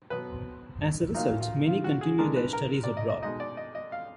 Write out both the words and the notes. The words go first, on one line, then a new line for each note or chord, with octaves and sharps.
As a result, many continue their studies abroad.
B2 F#3 B3 B4
A#2 F#3 A#3 D#4 F4
F4
F4
F#4
G#4
D3 G#3 D4 A#4
B4
A#4
D5
D#5
D#5
B2 G#3 D#4 D#5
D5
D#5
D#5
F5